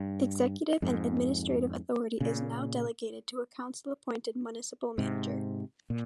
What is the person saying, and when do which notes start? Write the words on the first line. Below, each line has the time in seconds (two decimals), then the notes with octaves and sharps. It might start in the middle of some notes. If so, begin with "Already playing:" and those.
Executive and administrative authority is now delegated to a council appointed Municipal Manager.
Already playing: G2
0.82 F2 G#2
2.20 A#2 C#3
4.98 G#2 C3
5.90 A#2